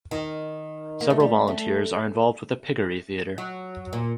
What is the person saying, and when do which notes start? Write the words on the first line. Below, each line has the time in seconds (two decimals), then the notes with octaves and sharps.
Several volunteers are involved with the Piggery Theater.
0.11 D#3
1.01 A#3
1.10 A3
1.20 G3
1.48 A3
3.38 F#3
3.93 A#2